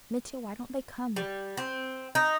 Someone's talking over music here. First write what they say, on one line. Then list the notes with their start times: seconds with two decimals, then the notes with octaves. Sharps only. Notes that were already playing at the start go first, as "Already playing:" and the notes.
Mitya, why don't they come?
1.16 G3
1.57 C4
2.15 D#4